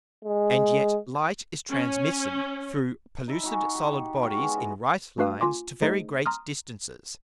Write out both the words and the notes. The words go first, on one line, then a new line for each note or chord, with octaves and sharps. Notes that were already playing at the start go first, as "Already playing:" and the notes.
And yet Light is transmitted through pellucid solid Bodies in right Lines to very great distances.
G#3
C#4
D#4 E5 B5
D#4 F#4 G#5
G4
F#4 F5 G5 C#6
G#3 B3
E4 D#5
A3 D4 F#4 B4 F5
F4 G#5 C6 D6
A3 D#4 G#4 C5 D#5
A#5 C6 D#6 F6